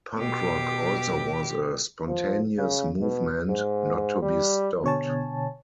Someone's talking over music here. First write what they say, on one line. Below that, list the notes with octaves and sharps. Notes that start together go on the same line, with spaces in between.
Punk rock also was a spontaneous movement, not to be stopped.
B2 G4
F3
C#3
B2
G#2
G3
B2 D3 C#5 G#5 A5